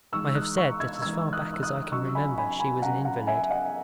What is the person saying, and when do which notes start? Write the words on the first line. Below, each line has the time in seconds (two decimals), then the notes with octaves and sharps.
I have said that as far back as I can remember, she was an invalid.
0.12 E3 G#3 D#4 C#6 E6
0.35 D#6 F#6
0.58 C#6 E6
0.80 E6 G#6
1.02 E3 G#3 D#4 E6 G#6
1.33 D#6 F#6
1.54 E6
1.63 D#6 F#6
1.92 C#3 F#3 C#4 C#6 E6
2.15 G#5 B5
2.38 G#5 B5
2.60 G#5 B5
2.82 C#3 F#3 C#4 F#5 A#5
3.05 F#5 A#5
3.27 E5 G#5
3.50 D#5 F#5